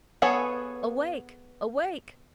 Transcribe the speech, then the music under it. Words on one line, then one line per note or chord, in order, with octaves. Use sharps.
"Awake, awake!"
B3 G#4 A4 B4 C#5